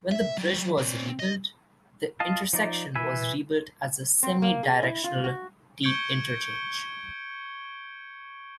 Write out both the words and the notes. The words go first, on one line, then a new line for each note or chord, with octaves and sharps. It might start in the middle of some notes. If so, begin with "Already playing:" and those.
When the bridge was rebuilt, the intersection was rebuilt as a semi-directional T interchange.
E5
F#3 G3
C4 D4
D#5
F4 D#5 F5 A5
F3 D#4 D5
E3 B4 E5 G#5
C4
A#3
G#4
E4
F4
F#4
C#6 G6 G#6 C#7 D7 G7